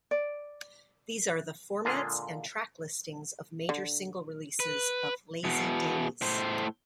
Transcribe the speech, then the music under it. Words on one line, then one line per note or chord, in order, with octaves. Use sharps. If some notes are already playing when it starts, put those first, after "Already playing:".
These are the formats and track listings of major single releases of "Lazy Days".
D5
A#2 D3 G#3 F4 G#4
D3
B4
E2 B2
A2 C5